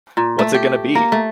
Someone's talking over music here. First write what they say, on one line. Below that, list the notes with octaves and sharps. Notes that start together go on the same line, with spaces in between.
What's It Gonna Be?!
A#2
A3
G4
A#3
A3